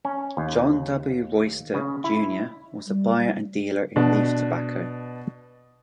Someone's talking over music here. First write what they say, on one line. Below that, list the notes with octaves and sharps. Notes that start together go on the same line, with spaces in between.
John W. Royster, Junior was a buyer and dealer in leaf tobacco.
C#4
D#2
C#3
E4
G3
B2 D4